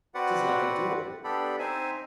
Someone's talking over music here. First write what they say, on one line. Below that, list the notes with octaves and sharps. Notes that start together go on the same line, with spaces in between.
'Tis like a duel.
C4 F#4 B4 D5 F#5
B3 D4 G4 A4 D5 B5
C4 D#4 C5 E5 G#5